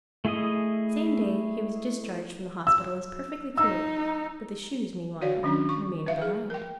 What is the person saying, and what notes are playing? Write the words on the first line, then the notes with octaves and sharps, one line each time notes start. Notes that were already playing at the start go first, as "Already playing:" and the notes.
The same day he was discharged from the hospital as perfectly cured; but the Shoes meanwhile remained behind.
A3 E4 G#4 D#5 D#6
E6
D#4 E6
F#4 C#5 D5 F5
D#3 F#3 C#4 D4
C#6
B4 E5 F5
G#4
A#4 G5